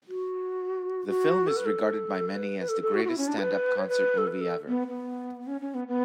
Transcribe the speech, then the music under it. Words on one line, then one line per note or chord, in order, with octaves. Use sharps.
The film is regarded by many as the greatest stand-up concert movie ever.
F#4
F#4
A4
B4
A4
B4
B4
A4
A4
F#4
F#4
E4
C#4
D4
B4
C#5
B4
A4
B4
A4
B3
B3
C#4
C#4
B3
B3